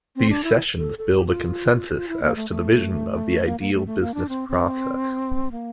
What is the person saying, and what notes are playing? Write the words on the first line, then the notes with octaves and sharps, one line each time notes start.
These sessions build a consensus as to the vision of the ideal business process.
C4
D4
E4
A4
A4
G4
F4
F4
E4
A#3
A3
A3
A#3
A#3
A3
A3
A#3
D4
C4
C4
A#3